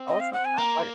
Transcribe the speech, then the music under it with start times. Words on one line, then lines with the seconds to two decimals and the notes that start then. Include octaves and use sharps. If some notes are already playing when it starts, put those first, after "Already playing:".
I wasn't uh, like
Already playing: C4
0.08 D#5
0.20 F5
0.33 F#5
0.45 G#5
0.58 A#3 A#5